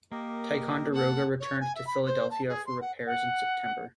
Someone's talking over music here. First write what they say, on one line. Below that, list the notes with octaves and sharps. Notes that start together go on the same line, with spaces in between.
"Ticonderoga" returned to Philadelphia for repairs in September.
A#3 G4 A#4 D#5
A4 F#5
C#5
G#5
E5
B5
C5
A5
G#4
C6
F#5
F#5